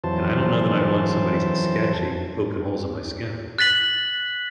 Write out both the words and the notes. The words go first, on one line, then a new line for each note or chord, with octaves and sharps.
and I don't know that I want somebody sketchy poking holes in my skin.
F2 E3 F#3 C5 A5
F#6 A6 B6 F#7